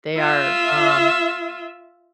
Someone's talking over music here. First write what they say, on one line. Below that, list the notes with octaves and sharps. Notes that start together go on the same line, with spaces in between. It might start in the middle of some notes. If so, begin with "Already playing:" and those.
They are, um,
F4 E5